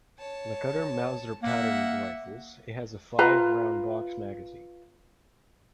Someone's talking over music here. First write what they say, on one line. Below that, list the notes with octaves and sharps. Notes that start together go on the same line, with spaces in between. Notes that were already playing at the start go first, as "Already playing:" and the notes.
Like other Mauser pattern rifles, it has a five round box magazine.
C#5 A5
A#3 E5 F#5
F4 B4 A#5